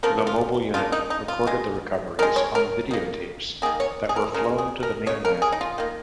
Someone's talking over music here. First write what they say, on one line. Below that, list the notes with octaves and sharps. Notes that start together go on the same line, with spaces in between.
The mobile unit recorded the recoveries on videotapes that were flown to the mainland.
C#3 F3 A#3 A#4
F4
C#3 F3 A#3 F4
D#4
D#4
F4
D#3 G#3
D#3 G#3 A#4
C#5
A#4
D#3 A#3
D#3 A#3 G#4
C#5
G#4
A#4
C#3 G#3 A#4
G#4
A#4
C#3 G#3 C#5
A#4
G#4
D#4
F4
D#3 A#3